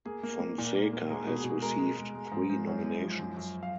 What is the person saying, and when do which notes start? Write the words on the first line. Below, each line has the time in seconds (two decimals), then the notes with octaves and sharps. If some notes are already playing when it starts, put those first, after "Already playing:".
Fonseca has received three nominations.
0.05 A#3 G#4
0.23 A#3
0.40 A#3
0.58 A#2
0.75 A#3
0.93 A#3
1.10 G#3 A#4
1.27 B2
1.36 G#4
1.44 B2
1.62 G#3 A#4
1.79 G#3
1.97 G#3
2.15 G#3
2.32 G#2
2.50 G#2
2.67 F#2 C#5
2.83 F#2
3.01 F3
3.19 F#2
3.37 F#2
3.63 F5